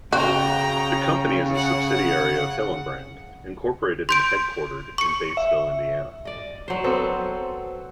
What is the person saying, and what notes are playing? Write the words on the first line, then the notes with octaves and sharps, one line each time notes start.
The company is a subsidiary of Hillenbrand, Incorporated and is headquartered in Batesville, Indiana.
C#3 F#4 G5 A#5
F#5
C6 G6 D7
C#6 C#7
E5
D5 D#5
F#3 C5
B3 C4 A4